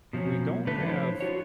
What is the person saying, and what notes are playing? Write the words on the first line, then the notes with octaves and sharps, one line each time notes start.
we don't have
B2 F3 F#3 C#4
D3 A3 D4 B4
F3 D4 E4 C5 C#5
F4 F#4 C#5